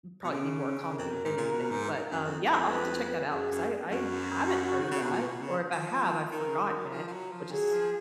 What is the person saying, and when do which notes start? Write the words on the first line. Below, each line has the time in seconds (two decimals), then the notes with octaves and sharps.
probably be more comedy than anything, but, um, yeah, I'll have to check that out 'cause I I haven't heard of that, or if I have, I've forgotten it, which is
0.24 B2
0.30 C#3 C#4
0.91 A#4
0.98 F2
1.11 F#2
1.25 G#2
1.38 A#2
1.51 B2
1.71 G#2
2.11 F#2
2.25 F2
2.52 F2
2.71 B4
3.31 F#2 G#4
3.51 F#2
3.91 F#2 F#4
4.22 F#4
4.80 D#3
4.91 C#3
5.01 B2
5.12 A#2
5.27 B2
5.42 C#3
5.72 F3
6.31 D#3 A#4
6.48 C#3
6.62 D#3
6.77 F#3
6.88 D#3
6.92 F3
7.08 F3
7.12 F#3
7.32 F3
7.52 F#3 G#4
7.72 F3